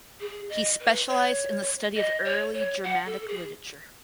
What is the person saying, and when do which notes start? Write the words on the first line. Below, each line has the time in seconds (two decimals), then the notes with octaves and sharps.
He specialized in the study of early Germanic literature.
0.20 G#4
0.49 D#5
0.78 B4
1.07 C#5
1.95 D#5
2.24 C#5
2.53 C#5
2.83 F#5
3.05 A4
3.20 A4
3.27 G#4